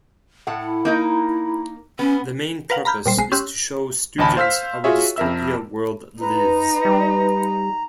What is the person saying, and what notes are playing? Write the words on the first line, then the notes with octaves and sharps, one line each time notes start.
The main purpose is to show students how a dystopia world lives.
A2 A4 F#5
E4
A#3 D#4 A#4
B3 C#4
A#4 B4 F5 F#5
A#5 B5 F6 G6 G#6
A#2 G3 C5
B1 G#3 C7
C#4 G4 C6 E6 F#6
A1 D2 D#5 A5 B5
C5 F5 E6 F6 B6
F4 F#4 G#4 C#5 E5
F2 A#4 E5 E6
D#4 B4 A#5
G3